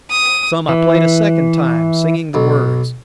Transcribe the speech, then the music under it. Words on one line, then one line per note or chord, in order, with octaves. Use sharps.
Some I played a second time, singing the words.
D#6
E3
B1